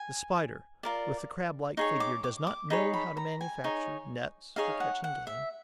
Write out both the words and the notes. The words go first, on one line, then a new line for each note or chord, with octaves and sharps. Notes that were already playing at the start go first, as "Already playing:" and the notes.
The Spider with the Crab-like figure does not know how to manufacture nets for catching game.
Already playing: G#5
F4 A#4 D5
D#4 G#4 C#5 C#6
D6
D6
D6
D#4 G#4 C#5 B5
B5
A#5
G#5
D#4 G#4 C#5
D#4 G#4 C#5 F5
F#5
F#5
E5